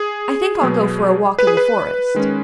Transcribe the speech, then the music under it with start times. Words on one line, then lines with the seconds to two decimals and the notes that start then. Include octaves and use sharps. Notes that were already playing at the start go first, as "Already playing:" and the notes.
I think I'll go for a walk in the forest.
Already playing: G#4
0.61 B2 F#3 B3
1.39 B4
1.47 G#4
1.57 B4
2.15 D#3 G#3 C#4